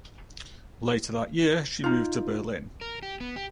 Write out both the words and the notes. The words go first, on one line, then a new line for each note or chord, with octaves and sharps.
Later that year she moved to Berlin.
D#4 F4
A#4
G4
B3
G4